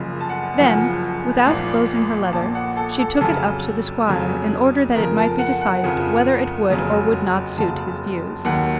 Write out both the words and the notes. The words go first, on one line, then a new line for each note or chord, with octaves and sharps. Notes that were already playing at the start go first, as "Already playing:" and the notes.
Then, without closing her letter, she took it up to the squire in order that it might be decided whether it would or would not suit his views.
Already playing: F#1 F#2 C#3 F3
A5
F#5
F#1 F#2 C#3 F3 F#5
A#1 A#2 F3
A#1 A#2 F3 A5
F#5
A4
A4
F2 C#3 F#3 A4
F2 C#3 F#3
F2 C#3 F3 A#4
A5
F#5
F#5
F2 C#3 F3
F#1 F2 C#3 F#3
F#1 F2 C#3 F#3 A5
D#2 D#3 F#3 F#5